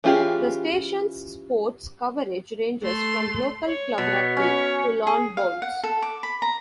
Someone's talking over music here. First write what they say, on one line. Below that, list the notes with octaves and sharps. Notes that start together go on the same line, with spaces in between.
The stations sports coverage ranges from local club rugby to lawn bowls.
E3 C#4 F4 G4 G#4
A3 C6
C#5
B2
C#4 C#5
G#4
F5
F#5
A4
D6
B5
A#5